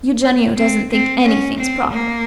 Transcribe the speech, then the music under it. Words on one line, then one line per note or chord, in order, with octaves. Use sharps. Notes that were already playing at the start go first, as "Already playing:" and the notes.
"Eugenio doesn't think anything's proper."
C4
C4
C#4
C4
A#3